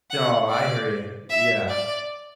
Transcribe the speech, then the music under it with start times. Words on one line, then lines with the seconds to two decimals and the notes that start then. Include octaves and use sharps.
Oh, I hear you, yeah.
0.10 F#5
0.50 D5
1.30 E5
1.68 D5